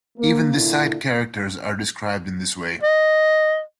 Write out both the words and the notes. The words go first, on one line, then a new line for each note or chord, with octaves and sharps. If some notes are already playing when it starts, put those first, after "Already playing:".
Even the side characters are described in this way.
A#3
A#2 D3 A#3 E4
D#5